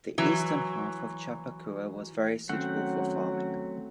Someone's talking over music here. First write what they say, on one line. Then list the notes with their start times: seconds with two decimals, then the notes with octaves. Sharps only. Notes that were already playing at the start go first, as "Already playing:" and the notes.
The eastern half of Chappaqua was very suitable for farming.
0.18 E3 F#3
2.49 D#3 F#3 A3 C4 C#4 F#5